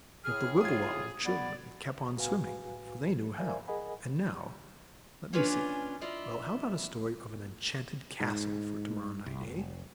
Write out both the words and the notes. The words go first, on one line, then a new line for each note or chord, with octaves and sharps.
But the Wibblewobble children kept on swimming, for they knew how; and now, let me see; well, how about a story of an enchanted castle for to-morrow night; eh?
A2 G#4 F6
F4 D#6 G#6
B3 D5
C2 A2 F#4 B4 F5 G#5
A#4 C5 D5 E5 F5 G#5
G#4 A#4 D#5 F#5 G#5 B5
A#3 C#4 D4 F4 B4 G#5
E4 F4 D5 D#5
G#2
C2
F1